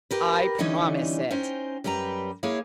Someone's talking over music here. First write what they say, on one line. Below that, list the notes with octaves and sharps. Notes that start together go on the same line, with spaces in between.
"I promise it."
G4 A#4 B4
D3 E3 G3 C#4 D#4
C#4 D#4 C5 G5
F#2 G3 G4 B4 A#5
A#3 E4 G#4 C#5 F5